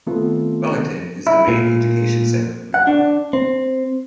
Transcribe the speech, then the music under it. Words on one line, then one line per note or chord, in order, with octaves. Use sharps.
Wellington is the main education centre for the borough.
D#3 A3 B3 C4 F4 A4
E4
A#2
F#5
D4
C4